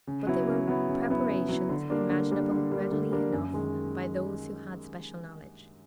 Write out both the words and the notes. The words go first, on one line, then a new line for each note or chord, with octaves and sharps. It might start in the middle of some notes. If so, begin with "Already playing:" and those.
But there were preparations, imaginable readily enough by those who had special knowledge.
C#3
F#3 B3 E4
C#3
F#3 B3 E4
C#3
F#3 B3 E4
C#3
F#3 B3 E4
D3
G3 A#3 D4
D3
G3 A#3 D4
D3
G3 A#3 D4
D3
G3 A#3 D4
F#2
D#3 G#3